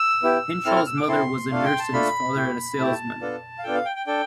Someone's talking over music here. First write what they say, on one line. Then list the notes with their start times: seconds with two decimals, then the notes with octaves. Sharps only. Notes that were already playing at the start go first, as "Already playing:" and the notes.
Henshall's mother was a nurse and his father a salesman.
Already playing: E6
0.23 B3 E4 G4
0.65 C4 E4 A4 F6
0.76 F6
0.87 E6
0.97 D6
1.08 C4 E4 A4 C6
1.50 A3 D4 F4 A4 F5
1.65 G5
1.79 A5
1.93 A3 D4 F4 A4 B5
2.36 A3 E4 G4
2.79 A3 E4 G4 A5
3.21 B3 D4 F4 A4
3.58 F5
3.64 B3 D4 F4 A4 G5
3.75 F5
3.85 G5
3.96 G5
4.06 D4 A4 G5